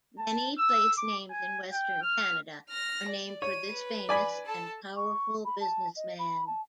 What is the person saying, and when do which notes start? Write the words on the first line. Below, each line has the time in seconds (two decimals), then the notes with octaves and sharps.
Many placenames in Western Canada are named for this famous and powerful businessman.
0.18 A5
0.58 E6
0.98 D6
1.31 G#5
1.72 G5
2.02 F6
2.69 F6 A#6
3.08 D5
3.42 C#5 D#7
3.71 B4
4.09 D5 G#5 B5
4.46 A4 A5
4.96 C#6
5.45 B5
5.61 A5
5.96 D#5
6.19 B5
6.47 A5